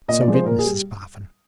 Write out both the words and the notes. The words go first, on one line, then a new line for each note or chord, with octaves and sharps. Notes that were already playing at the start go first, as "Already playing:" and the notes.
So did Mrs Boffin.
A#2 D#5
D5
F3 G#3
C5
A#2 A#4
G#4
G3